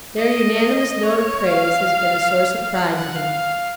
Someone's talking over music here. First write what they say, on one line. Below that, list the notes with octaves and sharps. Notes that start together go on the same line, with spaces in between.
Their unanimous note of praise has been a source of pride to him.
D#5
C#5
F5
F#5
F5